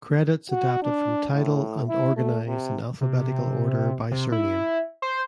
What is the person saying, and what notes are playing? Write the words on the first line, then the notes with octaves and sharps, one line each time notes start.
Credits adapted from Tidal and organized in alphabetical order by surname.
F#4
D4
A2
E4
A3
C3
C3
C3
E4
C5